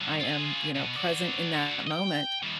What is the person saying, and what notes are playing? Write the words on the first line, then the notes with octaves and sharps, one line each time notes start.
I am, you know, present in that moment
G2 D3
F4 G#4
B2 B3
F#4 D5
D#5 G5
D#3 G3